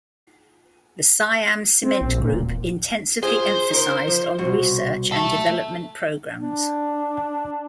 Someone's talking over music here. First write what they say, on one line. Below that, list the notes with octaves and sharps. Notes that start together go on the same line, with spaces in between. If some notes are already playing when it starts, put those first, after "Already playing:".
The Siam Cement Group intensively emphasized on research and development programs.
C4
A#1
A#2
D#1
F4 G#4 C5
D#4 A#4
F3
C2 B2 F#4
A4 E5
D4